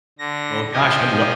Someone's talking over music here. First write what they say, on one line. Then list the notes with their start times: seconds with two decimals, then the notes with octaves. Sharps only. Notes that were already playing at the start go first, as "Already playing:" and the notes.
well, gosh, I'd lo
0.19 D3 A#6
0.73 F3 G4 D#5 G#5